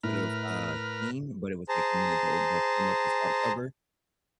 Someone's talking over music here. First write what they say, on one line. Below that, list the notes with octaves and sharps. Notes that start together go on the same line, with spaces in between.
sort of, uh, theme, but it was like in the the the form of his art cover,
A2 A#4 B4 F6
G#4 C5 A5 A#5